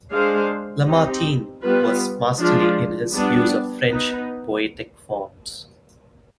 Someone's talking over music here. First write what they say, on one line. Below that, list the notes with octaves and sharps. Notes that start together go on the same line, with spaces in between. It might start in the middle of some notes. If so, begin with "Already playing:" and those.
Lamartine was masterly in his use of French poetic forms.
G#3 D4 G#4 C5 F5
C4 D#4 G4
G3 B3 F4 B4
F3 G#3 D4 F4
G3 B3 D4
B3 D#4 B4